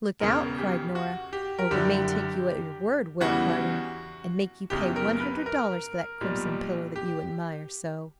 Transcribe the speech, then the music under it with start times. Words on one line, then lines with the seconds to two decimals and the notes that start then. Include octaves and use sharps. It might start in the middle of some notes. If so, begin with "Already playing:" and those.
"Look out," cried Nora, "or we may take you at your word, Will Hardon, and make you pay one hundred dollars for that crimson pillow that you admire so."
0.20 E1 E2 C#3 A#4
0.58 G4
0.95 F#4
1.33 G4
1.59 A#4
1.71 F#1 F#2 D3 G3 G4
3.21 E2 C#3 E3 G3 F#4
4.70 F#1 E2 C#3 F#3 G4
4.96 A#4
5.13 A#4
5.20 B4
5.46 A#4
6.21 B1 A#2 G3
6.96 G4